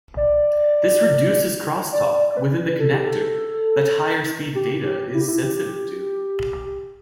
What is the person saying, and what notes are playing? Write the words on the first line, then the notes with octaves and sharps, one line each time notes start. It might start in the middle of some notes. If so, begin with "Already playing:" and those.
This reduces crosstalk within the connector that higher speed data is sensitive to.
D5
D5
D5
B4
A4
G4
A4
G4
G4
E4
G4
E4
G4